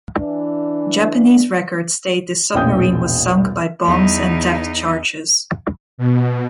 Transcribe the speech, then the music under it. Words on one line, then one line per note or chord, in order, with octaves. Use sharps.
Japanese records state this submarine was sunk by bombs and depth charges.
E3 D4
E1 A#1 C#4 G5 D#6 G6
E2 D#4
B2